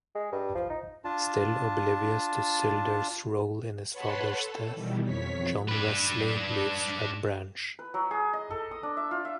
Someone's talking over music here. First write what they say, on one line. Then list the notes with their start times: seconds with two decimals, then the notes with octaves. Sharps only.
Still oblivious to Sylder's role in his father's death, John Wesley leaves Redbranch.
0.15 G#3
0.32 G2
0.55 F3
0.70 D#4
1.05 D4 F4 A5
3.92 B4 C#5 F#5 A5 B5 C6
4.32 A4
4.74 B2 D#3 E3 G3
5.04 F2 C#5 B6
5.68 D4 B4
7.79 B4
7.94 F#3
8.11 G#4
8.33 D#5
8.50 A4
8.71 D#6
8.83 D4
8.97 E5
9.11 F4
9.25 E5